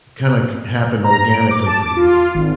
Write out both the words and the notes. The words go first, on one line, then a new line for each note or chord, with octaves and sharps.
kinda c happen organically for you?
A#5
D7
D6
A5
D6
F4
F4
G#1